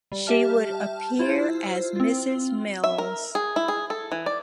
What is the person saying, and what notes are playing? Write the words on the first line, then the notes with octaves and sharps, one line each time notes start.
She would appear as "Mrs Mills".
G3
G4 E5 A5 F6
E4 F4 C5
C4 F4
E5
A#4
G#4
E4
G#4
A4
E3
D5